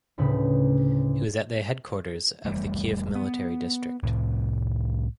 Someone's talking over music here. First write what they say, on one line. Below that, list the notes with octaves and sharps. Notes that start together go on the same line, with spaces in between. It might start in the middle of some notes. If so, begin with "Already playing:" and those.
He was at the headquarters of the Kiev military district.
D2 A2 C#3 B4
F1 E3 G3 A3
B3
C2 A2